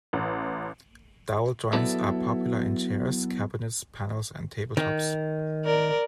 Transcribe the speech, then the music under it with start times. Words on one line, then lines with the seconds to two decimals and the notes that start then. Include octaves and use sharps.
Dowel joints are popular in chairs, cabinets, panels and tabletops.
0.13 A1
1.73 F#3 B3 E4 A4 D5
4.77 D#3
5.65 A#4 D5